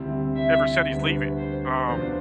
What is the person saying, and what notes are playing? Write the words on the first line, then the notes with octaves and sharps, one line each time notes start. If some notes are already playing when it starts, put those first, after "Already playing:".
ever said he's leaving." Um
Already playing: D2 C3 G3 C4 E4
E5
D2 D3 G3 B3
C5
E2 B2 B3 D4 F4 C5